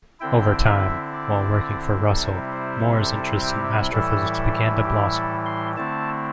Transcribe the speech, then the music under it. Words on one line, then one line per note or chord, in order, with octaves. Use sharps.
Over time, while working for Russell, Moore's interest in astrophysics began to blossom.
D3 C4 E4 G5
E5
D5
C3 G3 C4 E4 A4
C5
A4
G4
A2 E3 G3 E4 A4
G4
A4
C6
D3 A3 C4 E4 A5